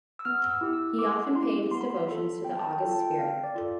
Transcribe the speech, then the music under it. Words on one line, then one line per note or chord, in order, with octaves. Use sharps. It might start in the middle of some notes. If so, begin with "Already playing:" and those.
He often paid his devotions to the august spirit.
E6
B3 F6
E6
E4 G4
E6
B3 D6
E4 G4 C6
B3 C6
B5
C6
F4 A4 B5
B3 G5
A5
G5
F4 A4 G5
A5
G5
C4 F5
D5
F4 A4 D5